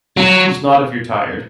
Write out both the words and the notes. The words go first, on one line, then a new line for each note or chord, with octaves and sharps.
Just just not if you're tired,
F#3